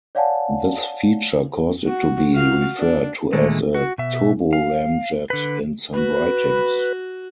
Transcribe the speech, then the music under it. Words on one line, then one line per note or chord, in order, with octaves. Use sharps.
This feature caused it to be referred to as a turboramjet in some writings.
C#5 D5 F5 F#5 G#5 A5
F#4
F#4 F5
D4
A#2 D3 D#3 G#3 A3
F#4
B2 E5
F5
D3 B4
F#4 B4